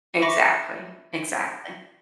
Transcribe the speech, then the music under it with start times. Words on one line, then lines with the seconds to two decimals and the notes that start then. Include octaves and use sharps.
Exactly, exactly.
0.22 E5 B5 C#6 D6 A#6 C#7